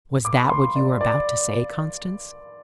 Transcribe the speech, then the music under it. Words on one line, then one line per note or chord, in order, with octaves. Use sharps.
"Was that what you were about to say, Constance?"
D6
B5
C6
D5
D5